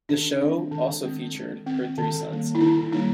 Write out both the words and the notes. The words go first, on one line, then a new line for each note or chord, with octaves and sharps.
The show also featured her three sons.
D#3 D4
G#3 C4
D#3
G#3 C4
D#3
G#3 C4
D#3
G3 A#3
E4
D#3 D#4
G3 A#3 D#4